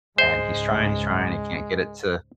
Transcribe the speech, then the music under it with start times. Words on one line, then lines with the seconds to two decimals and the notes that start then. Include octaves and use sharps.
and he's trying, he's trying, he can't get it to
0.18 C#2 G#2 G#3 C5